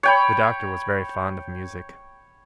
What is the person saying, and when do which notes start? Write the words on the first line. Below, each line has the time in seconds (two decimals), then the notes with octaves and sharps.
The Doctor was very fond of music.
0.03 C#5 G5 B5